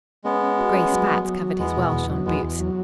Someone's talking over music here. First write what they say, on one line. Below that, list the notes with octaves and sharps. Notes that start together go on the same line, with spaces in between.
Grey spats covered his well-shone boots.
G#3 B3 C#4
C#4
F#4
C#4
F#3
F#3
F#3
F#3
E2 G#3 B3
B2
E2
F#3
E2 G#3 B3
E2
F#3